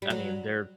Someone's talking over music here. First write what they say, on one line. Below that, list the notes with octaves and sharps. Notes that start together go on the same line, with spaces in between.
I mean, they're
G3
F#3